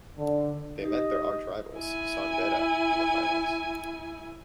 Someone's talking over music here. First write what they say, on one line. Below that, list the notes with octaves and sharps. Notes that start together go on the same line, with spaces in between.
They met their archrivals, San Beda in the finals.
D3
D#4 G4 D#5
E4 G#5